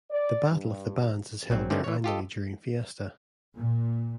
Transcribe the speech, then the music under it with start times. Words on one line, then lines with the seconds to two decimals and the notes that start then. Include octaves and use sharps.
The Battle of the Bands is held there annually during Fiesta.
0.11 D5
0.51 G2
1.50 A#1 F#3 C4
1.70 D3 D#3 G3 A3 C4 C#4
1.84 E3 C#5
2.04 F4 G4 A4 D#5
3.57 A#2